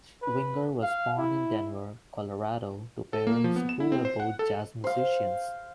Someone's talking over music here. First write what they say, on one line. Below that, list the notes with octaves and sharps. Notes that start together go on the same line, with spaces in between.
Winger was born in Denver, Colorado to parents who were both jazz musicians.
B4
F5
E4
A4
A#3
F3
B3
E7
E4
C4
C5
F#5
A4
C5 F5